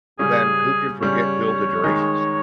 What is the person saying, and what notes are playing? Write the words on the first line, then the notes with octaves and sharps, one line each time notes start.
then who can forget Field of Dreams?
C#3 G3 C#4 G#4
C#3 G3 C#4 C#5
D#3 G#3 D#4